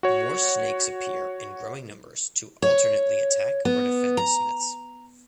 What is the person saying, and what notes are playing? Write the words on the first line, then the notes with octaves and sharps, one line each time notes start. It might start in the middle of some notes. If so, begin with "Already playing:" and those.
More snakes appear in growing numbers to alternately attack or defend the Smiths.
F#4 C#5
C#5
B3
A#5